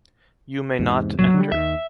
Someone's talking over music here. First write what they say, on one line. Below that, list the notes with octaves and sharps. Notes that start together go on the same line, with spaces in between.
You may not enter.
E2 G#2 C3
C#2 G2 A#2 F#3
D3 G3
D#2 D#3 E5